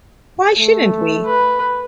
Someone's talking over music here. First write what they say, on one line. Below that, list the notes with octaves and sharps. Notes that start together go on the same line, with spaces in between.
Why shouldn't we?
A3
B4